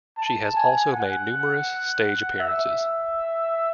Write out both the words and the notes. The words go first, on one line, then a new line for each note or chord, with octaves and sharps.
She has also made numerous stage appearances.
A5
G#5
F#5
E5